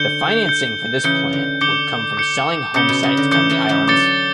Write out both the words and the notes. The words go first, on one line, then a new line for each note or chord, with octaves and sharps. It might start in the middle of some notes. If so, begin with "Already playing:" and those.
The financing for this plan would come from selling home sites on the islands.
Already playing: D3 G6 C#7 G7
G6 C#7 G7
C#3 E3 G6 C#7 G7
D3
D3 D6 G6 C#7 G7
D6 G6 C#7 G7
C#3 D6 G6 C#7 G7
B2
C#3
D3
C#3 E3 D6 G6 C#7 G7
C#3 E3
C#3 E3
D3 F#3 D6 A6 C#7 G7